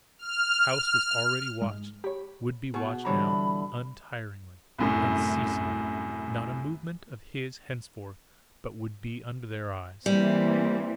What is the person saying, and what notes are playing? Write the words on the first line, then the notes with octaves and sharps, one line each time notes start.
The house was already watched, would be watched now untiringly, unceasingly; not a movement of his henceforth but would be under their eyes!
F6
G#2 G#3
G4 C#5 B5
B2 G#4 C#6
D3 E3 G3 C5 C#5 A#5 B5
C2 F#2 A2
E3 G3 A#3 C4